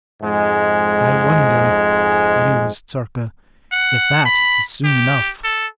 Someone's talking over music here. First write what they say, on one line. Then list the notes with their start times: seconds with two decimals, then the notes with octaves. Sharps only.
"I wonder," mused Sarka, "if that is soon enough!"
0.21 F2 G#2 G#3
3.72 F#5
4.25 B5
4.84 G4
5.44 A4